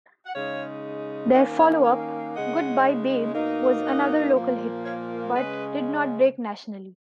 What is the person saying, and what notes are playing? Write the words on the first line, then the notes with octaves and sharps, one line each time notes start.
Their followup, "Goodbye Babe", was another local hit, but did not break nationally.
F#5
C#3 G#3 D#4 C#5 F5
D#3 A#3 C#4 D#5 F#5
C#5 F5
C#5 F5
C#3 G#3 D#4 D#5 F#5
B2 A#3 D#4
D#5 F#5
A#2 F3 A#3
C#5 F5
C#3 G#3 C#4 B4 D#5